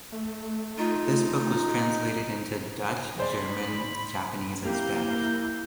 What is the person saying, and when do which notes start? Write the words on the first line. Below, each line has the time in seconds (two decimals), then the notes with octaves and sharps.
This book was translated into Dutch, German, Japanese and Spanish.
0.12 A3
0.78 D#4 F4
3.18 G#4 C5 D5 B5
4.65 A#3 E4 G4 G6